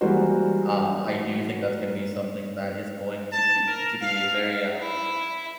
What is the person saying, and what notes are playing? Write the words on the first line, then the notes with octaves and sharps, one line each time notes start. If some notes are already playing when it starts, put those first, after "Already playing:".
Um, I do think that's gonna be something that is going to be to be a very, um
E3 G3 G#3 A#3 F#4 C5
A5
A#4
F5
E4